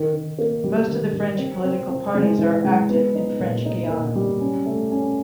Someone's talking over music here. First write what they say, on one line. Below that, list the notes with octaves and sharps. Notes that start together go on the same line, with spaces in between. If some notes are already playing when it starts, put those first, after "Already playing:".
Most of the French political parties are active in French Guiana.
Already playing: D#3
D#3
A#3
G3
D#3
G3
C4
C4
C4
G#3
E3
G#3
B3
D#4
A#2
D#4
A#2
G3
C#4
A3
C#4